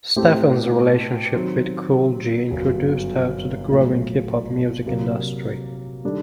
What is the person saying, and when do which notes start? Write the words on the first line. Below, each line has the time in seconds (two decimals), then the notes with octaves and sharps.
Steffans' relationship with Kool G introduced her to the growing Hip hop music industry.
0.16 A2 A3 C4 G4
1.34 D#3 F#3 C4
2.51 G1 F#2 F#3
3.69 A#1 A#2 F#3 A3
4.86 C3 F#3 A#3
6.04 D#3 G3 D4 A4